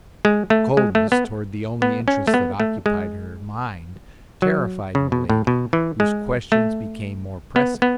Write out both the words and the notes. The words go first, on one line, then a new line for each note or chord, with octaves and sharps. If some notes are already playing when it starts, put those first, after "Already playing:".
This coldness toward the only interests that occupied her mind terrified Milady, whose questions became more pressing.
G#3
A3
G#3
A3
B3
B3
C#4
A3
B3
A3
G#3
F#3
C#3
B2
A2
B2
E3
G#3
A3
B3
B3